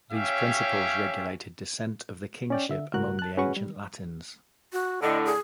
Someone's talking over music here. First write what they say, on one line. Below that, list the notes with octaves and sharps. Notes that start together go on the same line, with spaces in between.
These principles regulated descent of the kingship among the ancient Latins.
C#4 G4 C#5 E5 F5 G5
C#4 D5 G5
D3 E5
C#2 A2 F#4 A#4 F#6
A5 F#6
C#4 F#4 G#4 B4 F#5 C#6
G3
F#4
A2 D3 D#5
G#4